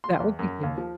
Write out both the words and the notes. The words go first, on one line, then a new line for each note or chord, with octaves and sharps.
That would be good.
C6
E2
F#2
D#2
F3